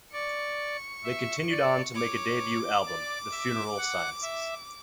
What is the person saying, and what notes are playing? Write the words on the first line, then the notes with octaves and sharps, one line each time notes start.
They continued on to make a debut album, "The Funeral Sciences".
D5 C#6
E5
D5
C#5 D6
D5
E5
F#5
E5